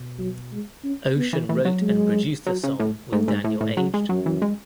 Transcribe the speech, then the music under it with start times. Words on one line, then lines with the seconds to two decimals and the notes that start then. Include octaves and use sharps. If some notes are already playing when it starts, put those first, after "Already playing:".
Ocean wrote and produced the song with Daniel Aged.
Already playing: B2
0.18 F#3
0.52 G#3
0.83 C#4
1.16 B3
1.33 E3
1.49 E3 A3
1.65 F#3
1.81 G#3
2.46 F#3
2.64 C#3
2.80 A2
3.12 G#2 A3
3.28 G#2
3.44 A2
3.61 A2
3.77 C#3 F#3
3.94 G#3
4.09 F#2 F#3
4.26 E3
4.42 G#3